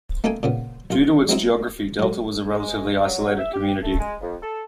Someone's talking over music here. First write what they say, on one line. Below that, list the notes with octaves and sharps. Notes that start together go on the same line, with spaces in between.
Due to its geography, Delta was a relatively isolated community.
A3 A#3 D#4 A4 G5 G#5
A#2 C#3 B3
B1 F4
F#3 G#3 C4 D#4 E4
G#2 F#3
G#3
F#3
E5
G4
A3
G#3
F2
A4